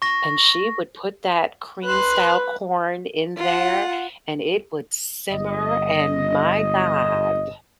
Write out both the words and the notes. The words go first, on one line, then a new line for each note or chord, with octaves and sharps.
and she would put that cream-style corn in there, and it would simmer, and my god.
C#6 A#6
B4 C6 F#6
F4 F#5
G1 D#5